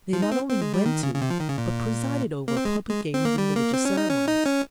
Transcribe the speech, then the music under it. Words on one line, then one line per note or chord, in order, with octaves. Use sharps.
They not only went to, but presided over, public games and religious ceremonies.
F3
D#4
C4
C4
G#3
G3
D#3
C#3
C#3
C3
F3
D#3
C#3
A#2
A#3
C4
G#3
G#3
C4
A#3
G3
A#3
C4
C#4
D#4
C#4
D#4
C#4